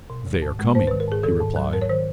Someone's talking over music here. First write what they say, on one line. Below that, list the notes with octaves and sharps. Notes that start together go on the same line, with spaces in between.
"They are coming," he replied.
B2
D#3
G#2
G#3
G#2 C5
D#3 B4
A#4
G#2 G#4
D#3 A4
G#2
F#3
G#2 A#4
C#5
D#3 C5